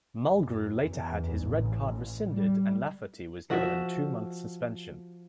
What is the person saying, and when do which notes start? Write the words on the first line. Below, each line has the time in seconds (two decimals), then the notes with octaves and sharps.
Mulgrew later had his red card rescinded and Lafferty was given a two-month suspension.
0.30 F#2
0.82 E2
1.39 A1
2.30 G3
3.50 F3 F#4 E5